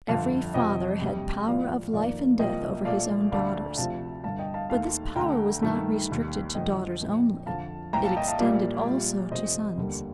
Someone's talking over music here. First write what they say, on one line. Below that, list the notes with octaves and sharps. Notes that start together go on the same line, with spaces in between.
Every father had power of life and death over his own daughters: but this power was not restricted to daughters only; it extended also to sons.
G1 F2 D3 F5 A5
F2 C3 F3 D#5 G5
D2 C3 G3
A#1 A2 F3 D5 F5
F2 D#3 A#3 D5 F5
C2 C3 F3 A#3 D#5 G5
A#1 A#2 A3 D5 F5
D2 D3 A3 D5 F5
D2 C3 F3 A3 F5 A5
G1 G2 D3 F5 A5
D#5 G5
F5 A5
D#2 D#3 A3 F5 A5
D2 D3 A3 G5 A#5
G2 D#3 A3
D#2 D#3 G3
F1 F2 D3 F3 D#5 G5
A#1 A#2 F3
F2 D3 F3 F5 A5
C2 A#2 F3 G5 A#5
F5 A5
D#5 G5
F5 A5
A#1 A#2 G3 A#3 D5 F5
A#1 A#2 G3
F1 F2 C3 C5 D#5
F1 D#2 D3 G3 A#3